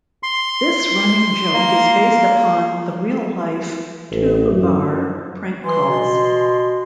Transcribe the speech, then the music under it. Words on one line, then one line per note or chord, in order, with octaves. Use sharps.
This running joke is based upon the real life Tube Bar prank calls.
C6
A#3
A1
F#2
E3 C6
B2